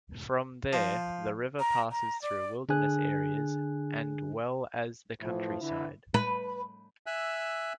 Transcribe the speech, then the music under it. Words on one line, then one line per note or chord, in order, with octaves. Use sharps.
From there, the river passes through wilderness areas and well as the countryside.
F3
A#5
A#5
D5
D3 D4 G#4 G#5 F#6
A2 E3 F3
D3 E3 E4
B4
E5 G#5 E6 F#6